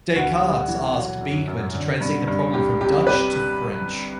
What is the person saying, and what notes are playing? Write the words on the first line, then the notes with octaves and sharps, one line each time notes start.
Descartes asked Beeckman to translate the problem from Dutch to French.
D2 F#4
G3
E3
F#3
F#2
F#2
D3
G2
G2
C2 G4
C3 G4
C3 G4 B4